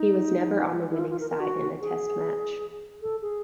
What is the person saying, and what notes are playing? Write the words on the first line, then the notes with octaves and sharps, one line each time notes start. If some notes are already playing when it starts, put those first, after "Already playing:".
He was never on the winning side in a Test Match.
Already playing: D#4
E4
F4
F4
A#4
A#4
F#4
G#4
A4
G#4